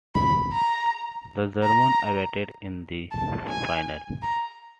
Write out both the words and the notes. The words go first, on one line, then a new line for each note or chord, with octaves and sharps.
The Germans awaited in the final.
B5
A#5
A#5
A5
G#5
A#5